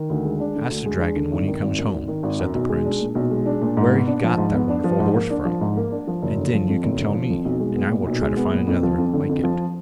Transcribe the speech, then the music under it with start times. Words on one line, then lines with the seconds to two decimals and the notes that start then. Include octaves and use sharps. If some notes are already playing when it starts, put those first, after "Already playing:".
'Ask the dragon when he comes home,' said the prince, 'where he got that wonderful horse from, and then you can tell me, and I will try to find another like it.'
Already playing: D#3
0.10 D2
0.24 G#3
0.40 D4
0.56 D3
0.70 D2
0.86 G#3
1.01 D4
1.16 D3
1.32 G#1
1.47 D#3
1.63 G#1
1.78 F#2
1.93 G#1
2.08 D#3
2.23 G#1
2.40 F#2
2.54 B1
2.69 G#3
2.85 D4
3.00 A#2
3.15 B1
3.31 G#3
3.46 D4
3.62 A#2
3.77 G#2
3.92 B3
4.07 D4
4.23 F3
4.38 G#2
4.54 B3
4.69 D4
4.84 F3
5.00 G#2
5.15 A#3
5.30 D4
5.45 F3
5.61 G#2
5.77 A#3
5.92 D4
6.07 F3
6.22 F#1
6.38 D3
6.53 F3
6.68 F2
6.84 F#1
6.98 D3
7.14 F3
7.30 F2
7.45 B1
7.60 G#3
7.76 B3
7.90 A#2
8.06 B1
8.21 G#3
8.37 B3
8.51 A#2
8.67 F2
8.83 F3
8.98 F2
9.13 D3
9.29 F2
9.44 F3